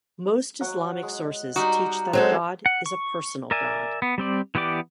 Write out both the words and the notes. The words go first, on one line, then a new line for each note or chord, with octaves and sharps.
Most Islamic sources teach that God is a personal God.
F#3 F#5
G#3
G3 D#4 F#4 D#5 A#5
F#3 G#3 C4 A4 C5
F#5
C#6
A#4 D5 E5 G#5
B3
G3 C4 D5
E3 B3 G4 D5 D6